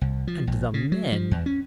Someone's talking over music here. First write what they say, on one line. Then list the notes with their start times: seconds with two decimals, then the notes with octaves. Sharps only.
And the men!
0.01 C2
0.27 F3
0.47 A#1
0.74 C#3
0.92 F#3
1.12 F3
1.31 E2
1.46 C#4